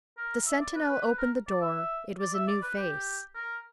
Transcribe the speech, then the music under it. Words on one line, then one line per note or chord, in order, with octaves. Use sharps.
The sentinel opened the door; it was a new face.
A#4
E5
D5
B4
B4
B4
A#4
D5
E5
D5
E5
D5
B4
G4
A#4